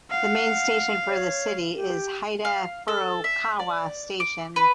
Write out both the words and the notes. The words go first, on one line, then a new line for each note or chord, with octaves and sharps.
The main station for the city is Hida-Furukawa Station.
F5 F#5
C#5
G4
F5
A4
E5
D5
D6
B4